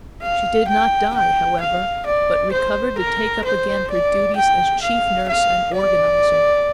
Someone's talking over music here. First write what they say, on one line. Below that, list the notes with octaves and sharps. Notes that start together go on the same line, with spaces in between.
She did not die, however, but recovered to take up again her duties as chief nurse and organizer.
F5
G5
G5
F5
D5
C5
A#4
C5
D5
G5
F5
F5
D5